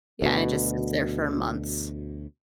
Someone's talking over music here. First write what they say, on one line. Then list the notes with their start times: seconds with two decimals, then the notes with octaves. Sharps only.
Yeah, and it just sits there for months.
0.22 D2 B2